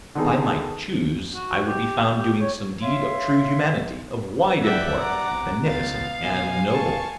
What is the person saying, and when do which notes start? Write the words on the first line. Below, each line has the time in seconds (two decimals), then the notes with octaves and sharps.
If I might choose, I would be found doing some deed of true humanity, of wide import, beneficent and noble.
0.15 D3 D#3 B3 D#4 G#4
1.35 F#4
1.66 G4
2.18 G4
2.41 C#5
2.82 C#5 E5 F5 C6
4.63 G2 D5 E5 F#5 G5
4.98 A#5 D6
5.31 C2
5.66 C#2 B3 F5 A6
6.24 F#2 B2 G#5
6.70 A5 C#6